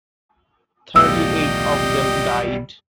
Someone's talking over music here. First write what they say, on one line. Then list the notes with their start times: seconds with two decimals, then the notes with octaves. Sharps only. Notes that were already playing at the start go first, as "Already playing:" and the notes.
Thirty-eight of them died.
0.96 B1 E2 A2 G3 F4 G4 D#5 E6